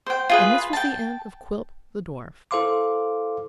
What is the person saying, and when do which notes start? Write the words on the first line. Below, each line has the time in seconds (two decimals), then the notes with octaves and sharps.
And this was the end of Quilp, the dwarf.
0.06 C5 G5
0.29 F4 G#4 B4
0.73 G5 A5
2.51 E4 A4 C5 F5 C6 D6